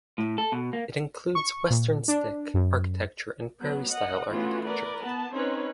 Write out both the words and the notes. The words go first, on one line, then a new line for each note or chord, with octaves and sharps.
It includes Western Stick architecture and Prairie style architecture.
A2
A4
B2
A#3
C#6
A#2
D4
F#2
F#3 B3
D#5 F#5
E3 A3 B3 C#4 F4 F#4
A#4 B4 D5
B3 A5
C4 C#4 D#4 B4 C#5